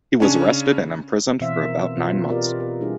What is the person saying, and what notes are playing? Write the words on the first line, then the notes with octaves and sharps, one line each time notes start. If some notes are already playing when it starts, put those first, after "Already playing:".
He was arrested and imprisoned for about nine months.
C#3 C#4 D4
B2 E3 C4 C5 E5 F5
A#4
B2 C4 F4 B4
F4 G4 A#4 B4 D5 D#5
A#4
G3 D4 E4 G#4